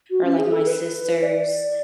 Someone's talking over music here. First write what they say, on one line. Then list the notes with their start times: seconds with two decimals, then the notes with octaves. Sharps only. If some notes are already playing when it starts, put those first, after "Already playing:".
or, like, my sisters
0.11 F#4
0.25 C#4
0.38 G#4
0.52 A4
0.67 B4
1.23 D5